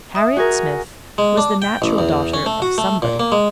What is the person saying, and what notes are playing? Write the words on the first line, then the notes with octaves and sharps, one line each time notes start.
Harriet Smith was the natural daughter of somebody.
E5 D#6
F#4 G#4 A#4
G#3
D4
G5
A1
E2
C#4
A3
F#4
A3
A#2
A#3
G#3